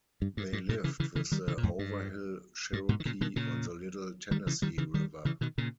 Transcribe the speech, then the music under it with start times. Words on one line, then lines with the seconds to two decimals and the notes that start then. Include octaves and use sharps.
They lived with the Overhill Cherokee on the Little Tennessee River.
0.22 G2
0.37 G2
0.53 G2
0.69 G2 A#2
0.84 C#3 E3
1.00 C#3 E3
1.15 C#3 E3
1.32 D#3 G3
1.48 C#3 E3
1.57 A#2
1.63 E2 G#2
1.79 G2
2.73 G2
2.89 G#2 B2
3.00 D#3
3.05 A#2 C#3
3.21 B2 D#3
3.36 A#2 C#3
4.31 D#3 G3
4.47 C#3 E3
4.62 D#3 G3
4.78 C#3 E3
4.94 D#3 G3
5.25 C#3 E3
5.41 B2 D#3
5.58 A#2 C#3